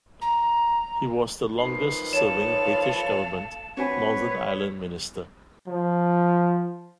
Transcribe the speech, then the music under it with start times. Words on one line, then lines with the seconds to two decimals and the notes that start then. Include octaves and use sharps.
He was the longest serving British government Northern Ireland minister.
0.22 A#5
1.58 D#3 F3 B4 C7
2.13 A4 C#5 F5 E7
3.77 C4 D4 F#4 B4 C#5 G#5
5.67 F3